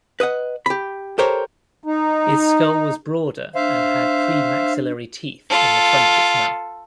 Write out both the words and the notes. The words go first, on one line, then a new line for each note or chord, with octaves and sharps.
Its skull was broader and had premaxillary teeth in the front of its mouth.
B4 D#5 F5 F#5
G4 B5
G4 A4 A#4 C5 C#5
D#4
D4 C5 E5 F5
F4 A4